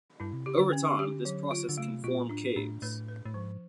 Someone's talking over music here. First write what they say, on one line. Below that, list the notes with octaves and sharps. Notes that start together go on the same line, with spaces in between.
Over time, this process can form caves.
G2 E4
C3
C#3 G4
D3
C#4
G4
F#3
F4
D3
C#3 A3
C3
B2 F4
A#2
A2 D4
A2 D4
A2 B4
B4
A2
G#2 F3